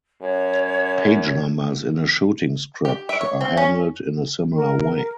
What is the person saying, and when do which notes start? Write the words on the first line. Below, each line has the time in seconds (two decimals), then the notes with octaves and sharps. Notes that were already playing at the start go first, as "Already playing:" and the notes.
Page numbers in a shooting script are handled in a similar way.
0.22 F#2 C#5
2.85 G4
3.09 E5
3.21 C#5
3.41 C4
3.57 C#4
4.56 A#4